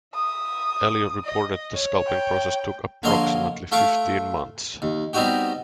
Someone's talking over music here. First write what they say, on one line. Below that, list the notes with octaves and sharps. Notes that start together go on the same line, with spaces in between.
Elliott reported the sculpting process took approximately fifteen months.
E5 D#6
D#5
C#5
G5
A#1 D3 A#3 C#5 D#5 C6
A3 F4 E5 C#6 D6
D#2
G3 B3 C4 D#4 F#4 G4